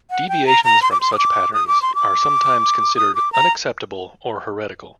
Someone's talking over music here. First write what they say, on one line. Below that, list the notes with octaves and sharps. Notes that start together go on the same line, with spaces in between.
Deviations from such patterns are sometimes considered unacceptable or heretical.
F#5
G5
A#5
A#5
C6
D6
C6
D#6
D6
D#6
D6
C6
D6
D#6
D6
A#5